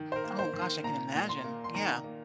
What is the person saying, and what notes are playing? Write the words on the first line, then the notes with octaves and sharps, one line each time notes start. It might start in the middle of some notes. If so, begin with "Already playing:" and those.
Oh gosh, I can imagine. Yeah.
Already playing: D#3
C5
A#4
A#3
C5
D#3
C6
A#2 A#5
A#2
C6
A#3
C6
D#3 A#5
A#3